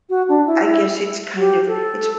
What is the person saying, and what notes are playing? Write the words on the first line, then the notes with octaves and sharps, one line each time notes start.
I guess it's kind of, it's
F#4
D4
E4
E4
G4
A4